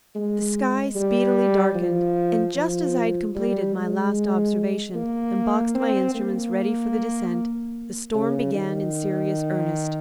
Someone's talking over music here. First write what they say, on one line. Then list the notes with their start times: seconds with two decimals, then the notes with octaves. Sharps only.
The sky speedily darkened, and just as I had completed my last observation and boxed my instruments ready for the descent, the storm began in serious earnest.
0.15 G#3
0.95 G3
1.75 F3
2.55 F3
3.35 G3
3.75 G#3
4.95 A#3
5.75 C4
6.15 A#3
8.14 C#3
8.54 D#3